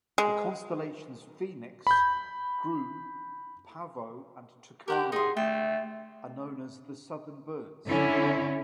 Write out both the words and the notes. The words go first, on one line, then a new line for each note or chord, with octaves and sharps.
The constellations Phoenix, Grus, Pavo and Tucana, are known as the Southern Birds.
G#3
B5 G6
G4 A#4 F#5 G5
D#4 G#4 C6
A3 G5
D3 C#4 E4